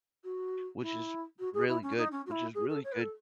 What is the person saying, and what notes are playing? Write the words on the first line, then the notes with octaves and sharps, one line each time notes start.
which is really good which is really good
F#4
E4
F#4
G#4
E4
C#4
D#4
C#4
F#4
E4
G#4
A4
C#5
B4
A4